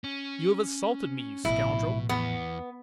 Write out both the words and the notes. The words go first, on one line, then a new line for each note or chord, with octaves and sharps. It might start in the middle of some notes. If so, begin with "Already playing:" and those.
"You have assaulted me, you scoundrel!"
C#4
A1 B2 F3 E4
E2 B3